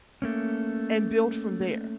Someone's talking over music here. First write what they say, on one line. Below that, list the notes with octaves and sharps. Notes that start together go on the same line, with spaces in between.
And build from there,
A3 A#3 C#4